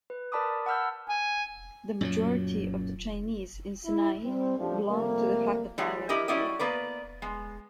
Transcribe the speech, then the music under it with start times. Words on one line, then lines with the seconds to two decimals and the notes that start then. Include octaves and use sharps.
The majority of the Chinese in Senai belong to the Hakka dialect group.
0.10 B4
0.32 A#4 D5 A5 B5 D6 D#6
0.66 F#5 A5 B5 E6 F6 G6
1.08 G#5
2.01 F#2 A#2 F#3
3.84 E4
4.24 G3 C4
4.58 A1 F#2 F3 A3 D4 G4
4.87 C3 F3 G3 A3 A#3
5.78 E3 G3 G#3
6.09 E4 G4 A#4 D#5
6.28 G3 C#4 E4 F#4 D5 D#5
6.59 A#3 B3 B4 D5
7.22 G#3 B3